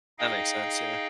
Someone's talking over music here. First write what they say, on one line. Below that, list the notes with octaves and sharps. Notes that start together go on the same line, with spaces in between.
That makes sense. Yeah.
D#4 G#4 D#5 F5 G5